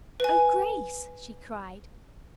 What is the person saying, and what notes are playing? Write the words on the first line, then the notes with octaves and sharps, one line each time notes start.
"Oh, Grace," she cried.
B4 G#5